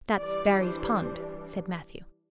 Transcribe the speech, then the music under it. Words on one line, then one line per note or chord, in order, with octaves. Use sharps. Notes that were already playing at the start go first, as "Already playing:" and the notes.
"That's Barry's pond," said Matthew.
E3 G3 D4 D5
C5